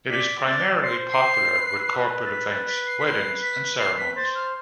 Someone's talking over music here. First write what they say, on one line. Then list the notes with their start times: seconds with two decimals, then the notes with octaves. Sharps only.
It is primarily popular with corporate events, weddings and ceremonies.
0.09 D5 B6
0.46 A6
0.83 C5 C7
1.11 C7
1.57 B4
2.26 A6
2.31 B6
2.50 A6
2.68 B6
2.87 C7
2.99 B6
3.06 C7
3.43 B6
3.79 B4 C7
3.98 B6
4.16 C5 A6
4.35 F6